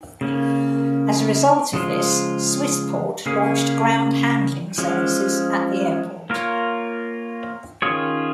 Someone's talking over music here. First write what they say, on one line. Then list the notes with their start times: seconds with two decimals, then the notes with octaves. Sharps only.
As a result of this, Swissport launched ground handling services at the airport.
0.21 C#3 A#3 C#4
1.73 C#3 F3 G#3 F4
3.26 C#3 A#3 C#4 G#4
4.78 F3 G#3 C#4
6.30 A#3 F4 A#4 C#5
7.82 D#3 C#4 F4 G#4 C#5